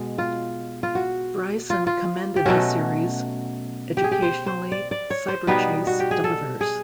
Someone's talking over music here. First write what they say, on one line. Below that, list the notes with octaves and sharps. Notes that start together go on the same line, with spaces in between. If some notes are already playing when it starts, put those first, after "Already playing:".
Bryson commended the series: "Educationally, "Cyberchase" delivers".
Already playing: B2 G#3
F4
F4
F#4
F4
F4
G4
B2 F#3 A3 C#4 F#4
G4
G#4
G4
C5
C5
D5
D5
C#5
C5
B2 G3 B3 D#4 B4
F#4
G4
G#4
A4
G#4